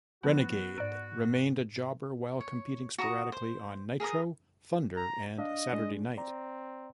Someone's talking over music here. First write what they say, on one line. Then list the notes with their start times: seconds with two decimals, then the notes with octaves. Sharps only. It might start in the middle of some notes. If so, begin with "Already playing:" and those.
Renegade remained a jobber while competing sporadically on "Nitro", "Thunder", and "Saturday Night".
0.23 F3 B3 F#4
0.78 G#2 D5 D7
2.41 C#5
2.98 F#4 A#5 C#6 D#6
3.32 C5
4.00 G#4 A#4 A#5 D#6
4.96 A#5
5.38 D4 D#5 F5
5.72 G#3 D4 G#4
6.17 C4 D5 A#5